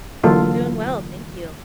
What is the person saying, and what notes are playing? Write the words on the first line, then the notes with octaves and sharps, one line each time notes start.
I'm doing well. Thank you.
D3 E3 F#3 A#3 F4 A4